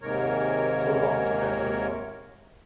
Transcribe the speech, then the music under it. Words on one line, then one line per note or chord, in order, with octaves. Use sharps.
"So long," to Edward.
D#2 G#2 C3 A#4 C#5